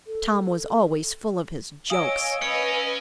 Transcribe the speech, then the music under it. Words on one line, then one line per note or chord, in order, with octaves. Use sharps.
Tom was always full of his jokes.
A4
C#5 D#5 F5 G#5 D#6 E6 D7
C#4 B4 D#5 C#7